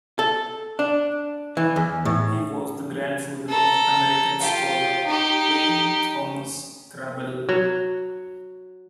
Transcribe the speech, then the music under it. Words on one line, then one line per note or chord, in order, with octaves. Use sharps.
He was the grandfather of American scholar A. Thomas Kraabel.
A4
D4
E3
E2
A2
A4 A#5
F4 G4
D#4 G4
F#3